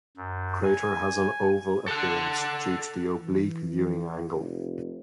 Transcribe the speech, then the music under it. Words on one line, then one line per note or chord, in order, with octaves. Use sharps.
The crater has an oval appearance due to the oblique viewing angle.
F#2
G#5
A4 F#5
E3
F1